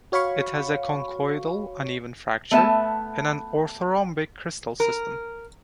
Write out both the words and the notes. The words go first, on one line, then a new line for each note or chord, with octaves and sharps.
It has a conchoidal, uneven fracture, and an orthorhombic crystal system.
F#4 C#5 F5 B5 C#6
A3 B3 E5 A5
A#4